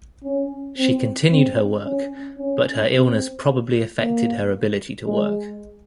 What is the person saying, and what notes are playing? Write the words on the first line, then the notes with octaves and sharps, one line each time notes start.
She continued her work, but her illness probably affected her ability to work.
C#4
C4
C4
C#4
C#4
C4
A#3
G#3